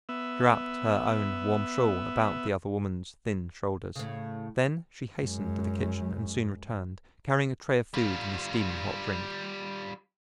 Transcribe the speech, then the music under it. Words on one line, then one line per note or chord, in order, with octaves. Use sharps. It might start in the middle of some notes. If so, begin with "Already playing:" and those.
She wrapped her own warm shawl about the other woman's thin shoulders. Then she hastened to the kitchen and soon returned, carrying a tray of food and a steaming hot drink.
B3 E5
A2 C#3
F#2 G#3
G3 F4